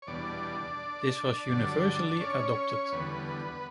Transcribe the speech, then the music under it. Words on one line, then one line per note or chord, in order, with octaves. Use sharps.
This was universally adopted.
C#5
E2 B2 G3 D4 D5
G2 D3 F#3
C#4 C#5
E2 D3 G3 B3 B4